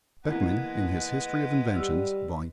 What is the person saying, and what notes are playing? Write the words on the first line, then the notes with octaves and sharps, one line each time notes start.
Beckmann, in his History of Inventions, Vol.
B2 E3 G#3 A#3 B4 F#5
G3 E6 F6